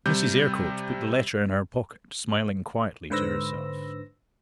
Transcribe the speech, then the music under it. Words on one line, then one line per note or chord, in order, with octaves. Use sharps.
Mrs. Eyrecourt put the letter in her pocket smiling quietly to herself.
C3 G3 G6
G#2 D3 B4 C5 E6 A#6